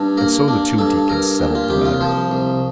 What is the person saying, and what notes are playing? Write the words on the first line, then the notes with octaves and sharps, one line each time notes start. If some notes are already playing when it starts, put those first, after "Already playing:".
And so the two deacons settled the matter.
Already playing: G2 D4
A#3 A#4
D4
G2 A4
G2 A#4
A#2
F4
C2 G4
F4
F3 C5
C2